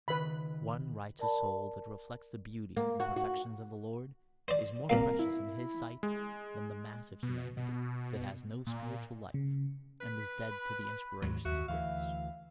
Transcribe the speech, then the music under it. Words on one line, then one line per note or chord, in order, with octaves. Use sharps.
One righteous soul that reflects the beauty and perfections of the Lord, is more precious in His sight than the mass of humanity that has no spiritual life, and is dead to the inspirations of grace.
C#2 D#3 B4 B5
A#4 D5 A5 B5
A#3
F#4
F#4
C5 D5
C2 A#2 A#4 F5
E4
G#3
B2
B2
A#2
C#3
B4 B6
B5
D#2 G#2 F#3
D#2 F#4 E5
D2 E3 F5